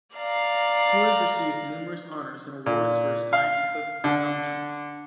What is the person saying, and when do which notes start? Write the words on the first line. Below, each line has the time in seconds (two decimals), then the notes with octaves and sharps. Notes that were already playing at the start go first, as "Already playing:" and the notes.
Ho has received numerous honors and awards for his scientific accomplishments.
0.14 D5 F5 A#5
2.66 A#2
3.33 F5
4.04 D3